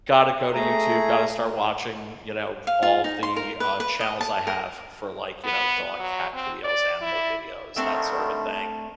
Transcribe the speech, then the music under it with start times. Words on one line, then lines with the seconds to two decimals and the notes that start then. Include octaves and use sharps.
gotta go to YouTube, gotta start watching, you know, all the, uh, channels I have for, like, you know, dog, cat videos, animal videos, that sort of a thing,
0.54 A3 G#4 A#5
2.67 F5
2.83 F4
3.04 D#4
3.23 C6
3.36 A#4
3.60 B4
3.80 B4
4.01 D#5
4.21 A5
4.47 A#4
5.44 B3
5.99 F#3
6.34 C4
6.64 D5
7.01 E4
7.76 D3 D#3 G3 A3 C4 D4